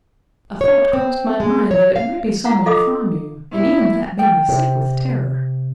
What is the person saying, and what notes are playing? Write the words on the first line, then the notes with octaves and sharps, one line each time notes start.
A thought crossed my mind that it might be some one from you, and even that made me sick with terror.
C#5
C4
G#3
C#5
F5
E4 F5 F#5 A#5
F4 A4 D#5 F5 D6 D#6
E4
G5
C3